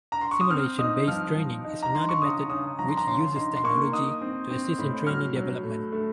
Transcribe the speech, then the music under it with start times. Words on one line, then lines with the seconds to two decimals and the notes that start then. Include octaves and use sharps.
Simulation based training is another method which uses technology to assist in trainee development.
0.12 A#5
0.21 C6
0.31 C#6
0.41 D#6
0.50 C4 F6
0.79 D#4 D#6
1.07 F3 F6
1.36 F3
1.64 D#4
1.83 A#5
1.92 D#4 C6
2.09 C#6
2.22 C#3 D#6
2.50 C#3 D#6
2.79 F3 A#5
2.89 C6
2.97 A#5
3.07 C#3 C6
3.36 D#4 C6
3.56 C6
3.64 A#3 C#6
3.92 D#4 D#6
4.21 C4
4.51 C4
4.78 A2
5.07 F#3 F6
5.36 F#3
5.64 A3
5.92 A3